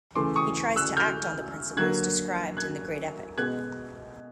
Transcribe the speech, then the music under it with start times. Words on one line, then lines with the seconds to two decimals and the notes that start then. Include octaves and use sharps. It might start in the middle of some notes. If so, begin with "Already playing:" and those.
He tries to act on the principles described in the great epic.
0.15 C#3 E3 A3 C6 D6
0.36 C#6 D#6
0.76 E6 F#6
0.97 F6 G6
1.76 D3 F#3 A#3 F#6 G#6
2.57 F#6 G#6
3.38 B2 G#3 B3 F#6 G#6